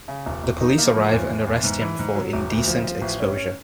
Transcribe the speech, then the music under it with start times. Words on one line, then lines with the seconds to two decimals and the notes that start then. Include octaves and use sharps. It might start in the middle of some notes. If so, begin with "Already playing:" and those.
The police arrive and arrest him for indecent exposure.
0.08 C#3
0.26 E1
0.44 E1
0.60 D#4
0.78 A#3
0.95 F3
1.12 E2
1.30 E2
1.47 E2
1.64 G#2
1.81 E3
1.99 G#2
2.15 F#3
2.33 E1
2.50 D2
2.68 F3
2.84 F3
3.02 A1
3.20 C#4
3.37 C#4